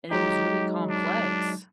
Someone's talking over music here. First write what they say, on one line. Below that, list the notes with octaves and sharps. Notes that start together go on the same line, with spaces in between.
and it was really complex.
F#3 G#3 D#4 G4
D4